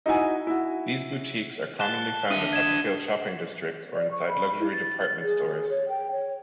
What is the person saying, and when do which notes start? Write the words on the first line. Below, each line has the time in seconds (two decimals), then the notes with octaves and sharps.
These boutiques are commonly found in upscale shopping districts or inside luxury department stores.
0.06 D#4 E4 F#4 G#5
0.47 E4 F#4
1.80 A5 F#6 G7
2.30 D4 E5 D#6 D#7
2.53 G#6 E7
3.94 D5
4.11 C#6
4.28 B5
4.60 E4
4.72 A6
5.23 G#4
5.70 C#5
5.89 G5
6.11 C#5